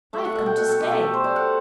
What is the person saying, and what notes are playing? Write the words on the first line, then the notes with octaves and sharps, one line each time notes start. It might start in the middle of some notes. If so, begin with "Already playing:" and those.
"I have come to stay."
A3 E5
F#5
B2 F#5
G5
B2 F#5
A4
B2 G4
A4
A3
C5
A3 D5
F#5